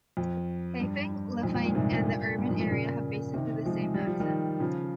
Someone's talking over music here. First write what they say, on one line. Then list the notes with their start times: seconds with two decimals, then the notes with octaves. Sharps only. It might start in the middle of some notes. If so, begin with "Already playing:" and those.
Haifeng, Lufeng and the urban area have basically the same accent.
0.17 F2
0.80 G2
1.43 F2 G#2
1.54 F2 G#2
1.64 G2 A#2
1.75 G#2 C3
1.91 G2 A#2
2.38 G2
2.49 F2 G#2
2.60 G2 A#2
2.70 A#2 C#3
3.34 C3 D#3
3.65 F3 G#3
3.81 G#3
3.94 G3
4.07 F3
4.20 D#3 G3
4.60 C#3 F3